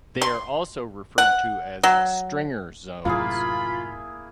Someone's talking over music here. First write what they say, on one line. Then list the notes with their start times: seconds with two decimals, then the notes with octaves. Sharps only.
They are also referred to as "stringer zones".
0.22 C6
1.18 F#5
1.83 F#3
3.05 F#2 A2 C3 A#3 E4 F4 G#4 B5